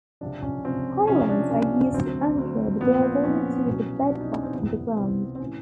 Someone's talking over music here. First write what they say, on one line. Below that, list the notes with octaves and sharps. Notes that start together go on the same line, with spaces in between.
Pilings are used to anchor the building to the bedrock underground.
C#2 C3 F3 D4
C#4
C#2 C3 F3 C4
C#2 C3 F3 C#4
D4
C#2 C3 F3 C#4
D2 D3 F#3 C4
D2 D3 F#3
A#1 A#2 F3 B3
C4
A#1 A#2 F3 C#4
C2 B2 F#3
C2 B2 F#3 D4
D#4
C#4
C4
C2 C3 E3 B3
C2 C3 E3 C4
C4
A2 E3 C#4